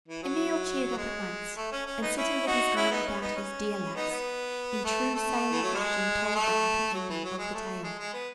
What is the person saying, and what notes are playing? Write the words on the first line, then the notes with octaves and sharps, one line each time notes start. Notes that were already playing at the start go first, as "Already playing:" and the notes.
Emil cheered up at once, and sitting with his arm about his 'dear lass', in true sailor fashion told the happy ending of the tale.
E3
F#3
G#3
A3
C#4
C#4
B3 D#4
C#4 E4
D#4 F#4
C#4 E4
B3 D#4
C#4
B3 D#4
C#4
B3 D#4
B3
A3
A3
E3
F#3
G#3
A3
F#3
E3
F#3
G#3
A3
G#3
G#3
B3